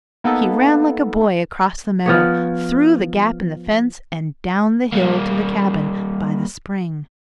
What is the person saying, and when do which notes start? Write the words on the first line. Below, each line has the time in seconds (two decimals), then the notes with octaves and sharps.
He ran like a boy across the meadow, through the gap in the fence, and down the hill to the cabin by the spring.
0.24 A#3 B3 D#4 A4
2.06 F3 B3 C#5
4.92 G3 A#3